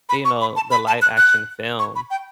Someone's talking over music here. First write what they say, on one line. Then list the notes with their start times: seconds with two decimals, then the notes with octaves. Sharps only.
you know, the live action film.
0.09 B5
0.25 C#6
0.41 B5
0.56 A5
0.71 B5
0.87 A5
1.02 F#6
1.17 F#6
1.79 C#6
1.95 B5
2.10 G5